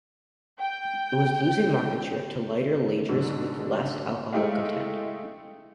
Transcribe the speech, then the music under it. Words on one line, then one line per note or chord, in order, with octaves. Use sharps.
It was losing market share to lighter lagers with less alcohol content.
G5 G6
G#2 B2 D3 F#3
G#3 A3 E4 G4 D#5 F5